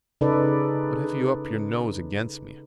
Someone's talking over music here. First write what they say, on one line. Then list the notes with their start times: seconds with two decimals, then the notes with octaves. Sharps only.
What have you up your nose against me?
0.21 C#3 D#4 A4 B4 D5